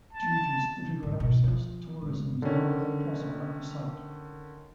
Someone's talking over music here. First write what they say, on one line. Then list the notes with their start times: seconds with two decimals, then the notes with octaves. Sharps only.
Due to its difficult access, tourism is not yet possible at the site.
0.13 A5
1.03 D#2 G#2
1.20 B2 D#3
1.44 F3 F4
2.01 G#1
2.42 D3 D#3 C#4